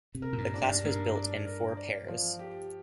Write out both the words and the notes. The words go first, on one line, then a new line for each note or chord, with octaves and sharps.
The class was built in four pairs.
C3
A#4
A#2
G2
D4
G2
G2 A#4
D4
A#4
D5
F3
G4